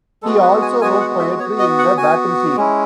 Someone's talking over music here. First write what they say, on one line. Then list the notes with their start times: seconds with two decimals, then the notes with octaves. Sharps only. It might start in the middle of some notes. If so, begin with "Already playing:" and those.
He also wrote poetry in the battlefield.
0.22 G#3 B3 F#4 A4
0.42 B4
0.62 G#5
0.81 G#3 B3 F#4 G#5
1.00 F#5
1.20 E5
1.39 B3 C#5
1.44 F#4
1.59 D#5
1.79 F#5
1.97 B3 F#4 G#5
2.56 G#3 C#4 E4